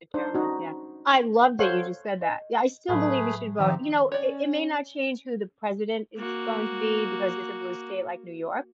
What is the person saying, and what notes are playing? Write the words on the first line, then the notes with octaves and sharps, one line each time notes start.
Determined, yeah, I love that you just said that, yeah, I still believe we should vote. You know, it it may not change who the president is going to be because it's a blue state like New York,
D4 D#4 C5
C#4 D#4 F#4
A4 C5 C#5 F5 F#5
D#5
A2 F#3 A3 G#4 B4
D#3 F3 C4 D#4 G4
C#4 C#5 D5
A#3 F#4